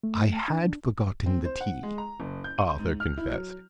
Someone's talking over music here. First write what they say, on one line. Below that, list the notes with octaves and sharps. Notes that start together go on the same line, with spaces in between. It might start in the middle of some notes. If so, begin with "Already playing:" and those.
"I had forgotten the tea," Arthur confessed.
A3
D4
C4
C5
F#5
G#3
A#5
F#1
G6
D#7
G#2
F6
E4
F#3